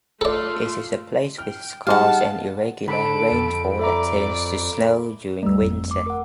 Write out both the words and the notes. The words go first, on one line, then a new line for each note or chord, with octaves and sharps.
It is a place with scarce and irregular rainfall that turns to snow during winter.
A3 F4 A4 D5
G5 F6
G3 D#4 G#4 F5 F#5 A5
D3 A4 B5 D7
F2
A4 D5 E5 A#5 D6
D2 G3 A3 D5 E6
G1 F2
D6
A#4 F#5 D6